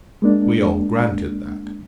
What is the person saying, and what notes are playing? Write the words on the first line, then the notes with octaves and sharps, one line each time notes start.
We all granted that.
G#3 A#3 D4